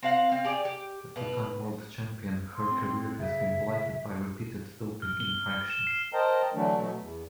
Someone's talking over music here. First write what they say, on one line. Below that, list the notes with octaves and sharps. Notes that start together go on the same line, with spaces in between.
A two-time World Champion, her career has been blighted by repeated doping infractions.
C4 F5 F#5
C4 F5
G4 G#4 D5
G4
B2 B4
C6
C4
C#3 E5
F6
G7
E7
C7
A#4 C5 D#5 G5 A5 A#5
D3 E3 F#3 A3 D4
B2 F#3 A3
E2